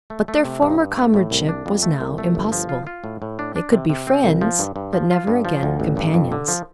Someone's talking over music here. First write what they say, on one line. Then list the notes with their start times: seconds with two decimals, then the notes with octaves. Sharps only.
But their former comradeship was now impossible; they could be friends, but never again companions.
0.10 A3
0.28 A3
0.45 C3
0.62 G2
0.80 G2
0.97 A3
1.14 A2
1.31 C2
1.49 D4
1.66 F2
1.82 A3
2.00 C2
2.18 A3
2.35 G1
2.52 F3
2.69 F4
2.87 F4
3.04 A2
3.22 A2
3.39 D4
3.56 D4
3.72 C3
3.90 C3
4.07 C4
4.24 C2
4.41 F3
4.59 G2
4.76 G2
4.93 F3
5.11 F4
5.27 G2
5.45 F3
5.63 D2
5.80 A1
5.97 G2
6.14 F2
6.32 D3
6.48 F3